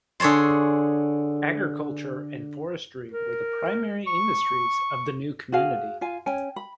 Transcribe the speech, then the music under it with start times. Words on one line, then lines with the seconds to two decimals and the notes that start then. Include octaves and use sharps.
Agriculture and forestry were the primary industries of the new community.
0.20 D3 G#4 C#5 A5 C6
3.12 A#4
4.07 C#6
5.52 F#4 G#4 F5 G#5
6.01 F4 F5 G#5
6.26 C#4 G5 G#5
6.56 B5